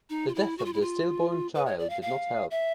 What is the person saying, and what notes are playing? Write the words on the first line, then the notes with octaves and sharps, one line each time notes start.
The death of their stillborn child did not help.
D#4
F4
E4
F#4
F4
E4
F4
B4
C#5
D5
F5
F5
E5